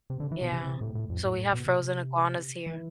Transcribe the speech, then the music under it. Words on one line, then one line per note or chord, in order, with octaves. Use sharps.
Yeah, so we have frozen iguanas here.
C3
D3
E3
B2
C3
C3
A2
A2
F2
A2
A2
B2
C3
E3